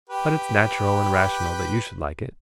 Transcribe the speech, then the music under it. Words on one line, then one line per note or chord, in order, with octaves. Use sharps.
But it's natural and rational that you should like it.
G4 B4